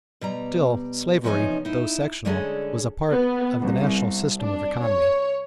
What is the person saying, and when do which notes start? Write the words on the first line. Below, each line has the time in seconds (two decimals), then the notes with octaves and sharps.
Still, slavery, though sectional, was a part of the national system of economy.
0.21 B2 G3 A#5
1.24 E2 C3 F3 C#4 D#4 G#5
1.65 D#4 E4
2.25 D3 G3 G#3 C#4 G#4 A4
3.10 B3
3.62 C2
4.40 D4
4.84 C#5